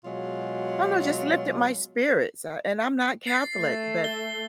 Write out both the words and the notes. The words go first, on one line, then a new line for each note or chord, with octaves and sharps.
I don't know, just lifted my spirits, uh, and I'm not Catholic, but
B2 F#3 G#3 F4
A6 C7
A3
G7